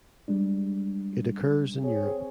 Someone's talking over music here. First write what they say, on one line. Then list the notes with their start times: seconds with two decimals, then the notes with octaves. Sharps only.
It occurs in Europe.
0.28 G3 G#3 D4
1.83 C4 G#4 C#5